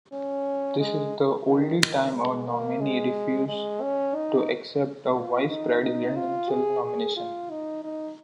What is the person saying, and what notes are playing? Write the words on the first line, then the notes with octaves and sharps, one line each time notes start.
This is the only time a nominee refused to accept a vice-presidential nomination.
C#4
G#3
D#3
D#3
G#3
A#3
G#3
G#3
C#4
D#4
F4
D#4
D#4
F4
G#4
G#4
F4
D#4
D#4